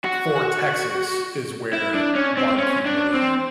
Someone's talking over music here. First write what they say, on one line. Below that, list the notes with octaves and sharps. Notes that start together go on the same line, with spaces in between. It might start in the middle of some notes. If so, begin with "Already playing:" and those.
for Texas is where barbecue really
F#4
E4
D4
C#4
C4
C#4
D4
C4